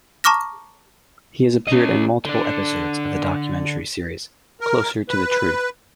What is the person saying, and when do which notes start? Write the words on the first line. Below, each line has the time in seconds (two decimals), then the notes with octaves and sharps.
He has appeared in multiple episodes of the documentary series Closer to Truth.
0.24 A5 A#5 C#6 D6 F6 A#6
1.67 C#4 D#5
2.25 D3 D4
4.61 A#4
5.09 B4